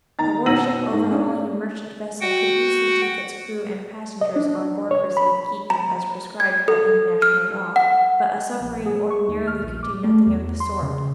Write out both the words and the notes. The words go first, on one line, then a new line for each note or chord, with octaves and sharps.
A warship overhauling a merchant vessel could easily take its crew and passengers on board for safe keeping as prescribed by international law; but a submarine ordinarily could do nothing of the sort.
D#3 A#5 A6
B2 F#5 E6 A#6 D#7 F#7
G#2
C#4 D4
F#4 F#5 G5
D#5
D4
C#5
B5
A#5
G#6
A4
F6
F#5
A#1
G#4
C#6
D#2
F6
A#1
D6
A3
E2
C6
C#3